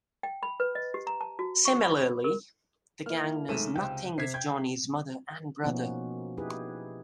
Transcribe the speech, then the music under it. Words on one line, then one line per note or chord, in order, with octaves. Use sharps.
Similarly, the gang knows nothing of Johnny's mother and brother.
G5
B5
B4
D#5
G4
A#5
A5
F#4
C#6
B5
A#4
A#3 E4 F6
B1 D#3 G#3 A3 D#7 E7
C#2 C3 G5
C3 G#6 B6 C7
G5 G6 G#6
B2 F3 A#3 B3 C#4 D#4
D#4 E4 G4 G#4 B4